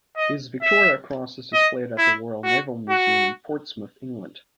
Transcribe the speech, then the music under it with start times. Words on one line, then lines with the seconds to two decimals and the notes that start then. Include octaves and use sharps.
His Victoria Cross is displayed at the Royal Naval Museum, in Portsmouth, England.
0.17 D#5
0.62 E5
1.53 D#5
1.98 E4
2.44 F#4
2.89 F#4